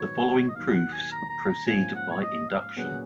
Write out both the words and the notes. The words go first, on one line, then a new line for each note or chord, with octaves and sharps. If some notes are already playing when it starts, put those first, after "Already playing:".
The following proofs proceed by induction.
Already playing: G#2 D#3 F#3 B3 C#5
D#5
D#2 D#3 F#3 F5
F#5
G#5
A#5
A#5
A#5
G#2 F3 A#3 C#4 F4 G#5
F#5
C#5
D#5
F5
A#2 F#3 C#4 G#4 B4 F#5